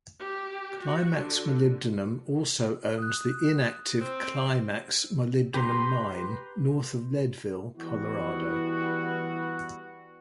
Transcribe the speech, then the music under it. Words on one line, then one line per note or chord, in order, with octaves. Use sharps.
Climax Molybdenum also owns the inactive Climax molybdenum mine, north of Leadville, Colorado.
G4
F#4
D3
D#6 F#6
C4
G4 B4 A#5 C6
E3 G3 B3 E4 F#4